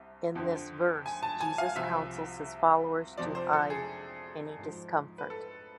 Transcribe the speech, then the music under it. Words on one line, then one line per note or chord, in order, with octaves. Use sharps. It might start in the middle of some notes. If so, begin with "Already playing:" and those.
In this verse Jesus councils his followers to hide any discomfort.
Already playing: C2 C3
F2 D3 F3
G#5
A5
G#5
F5
C2 C3 F3 E5
F2 C3 F3 D5
C5
A4
G#4
G#2 F3
B4
A4